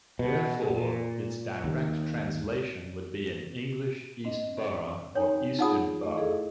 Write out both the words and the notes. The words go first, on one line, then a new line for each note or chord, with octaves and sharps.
Therefore, its direct translation would be in English East Borough or Eastern Borough.
B2
A#2
D#2
C4 D4 D#5
D#4 C#5 G5 G#5
D#4 F4 G#4 F#5 B5 D#6
A3 D#5 F5
E4 G#4 A4